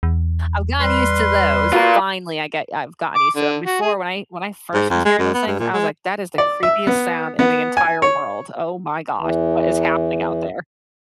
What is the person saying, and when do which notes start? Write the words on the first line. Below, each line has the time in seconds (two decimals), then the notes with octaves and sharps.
I've gotten used to those. Finally, I get I've gotten used to them. Before, when I when I first was hearing those things, I was like, "That is the creepiest sound in the entire world. Oh my gosh, what is happening out there?"
0.03 E2
0.80 G3 B4 C6
1.73 F4 F#4 A#4
3.16 D6
3.36 D3
3.66 F#4
3.81 G#4
4.74 G#2
4.90 F2
5.05 G#3
5.19 F#2
5.34 B3
5.47 G2
5.59 A#2
5.73 G#3
6.38 D5
6.63 E5
6.87 B3
7.39 B3
7.77 G#5
8.02 C#5
9.19 E2 E3